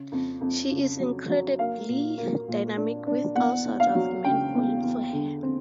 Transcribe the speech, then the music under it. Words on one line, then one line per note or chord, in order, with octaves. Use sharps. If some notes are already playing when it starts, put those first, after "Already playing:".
She is incredibly dynamic, with all sorts of men falling for her.
Already playing: C#3
F2
F2
C#3
F#3
F#3
A#3 F5
A#2
A#3
A#2
D4
D4
E2 F#5
E2
F5
F#3
C#3 G5
E2
E2
D3
C4